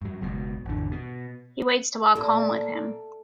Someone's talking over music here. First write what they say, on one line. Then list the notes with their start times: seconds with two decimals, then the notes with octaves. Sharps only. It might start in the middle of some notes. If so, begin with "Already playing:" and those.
He waits to walk home with him.
0.02 G2 F#3
0.21 F#1 C#2 B2
0.66 G#1 E2 D3
0.92 B2
2.15 A#2 A#3 A4